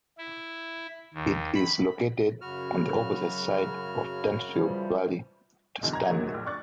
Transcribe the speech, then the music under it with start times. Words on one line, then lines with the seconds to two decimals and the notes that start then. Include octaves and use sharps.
It is located on the opposite side of the Tanfield valley to Stanley.
0.18 E4
1.14 D#2
1.55 B5
2.41 F#2 C#3 F#3 F#4 B5 F6
4.59 E3 F3 G3
5.82 F#1 B1 G#2 B2 D3 E3
5.93 A#5 G#6
6.09 E2 D3 D#3 F#3 G#3 A3
6.34 A#1
6.46 D5 C#6 F#6 A6